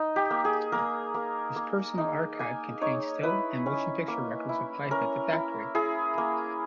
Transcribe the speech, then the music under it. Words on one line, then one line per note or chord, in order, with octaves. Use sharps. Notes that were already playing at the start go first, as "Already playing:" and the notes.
His personal archive contains still and motion-picture records of life at The Factory.
Already playing: D#4
G4
A#3
G#4
A#3 A#4
A#3
A#3
D#4
A#3 G#5
D#4 C#5
E4 B4
C#4
A#3
E4
C#4 A#4
E4
E4 G#4
A#3